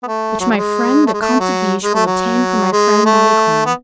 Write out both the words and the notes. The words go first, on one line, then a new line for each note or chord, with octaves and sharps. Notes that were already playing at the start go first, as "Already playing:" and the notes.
"Which my friend the Comte de Guiche will obtain for my friend Malicorne."
B3
A3
F#3
F#3
G#3
A3
G#3
A3
F#3
G#3
A3
F#3
G#3
A3
B3